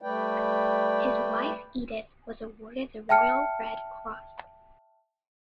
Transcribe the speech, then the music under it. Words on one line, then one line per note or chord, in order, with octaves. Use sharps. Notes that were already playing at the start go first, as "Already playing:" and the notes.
His wife Edith was awarded the Royal Red Cross.
G3 A3 B4 D5 G5
E5 G5 A5 F6 C#7